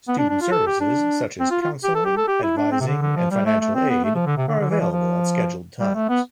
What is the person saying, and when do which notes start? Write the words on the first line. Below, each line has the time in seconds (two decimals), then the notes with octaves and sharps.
Student services such as counseling, advising and financial aid are available at scheduled times.
0.08 B3
0.19 D4
0.30 D4
0.41 F4
0.52 A4
0.67 G4
0.81 D4
1.40 C4
1.51 F4
1.62 F4
1.84 G4
1.95 A4
2.06 G4
2.17 A4
2.28 G4
2.43 E4
2.57 D4
2.72 C4
2.81 C3
2.87 D3
3.02 D3
3.16 F3
3.31 G3
3.46 A3
3.60 A3
3.75 C4
3.89 B3
4.04 A3
4.15 F3
4.26 D3
4.37 C3
4.48 D3
4.60 D3
4.70 E3
4.81 F3
4.92 F3
5.80 G3
5.95 A3
6.09 B3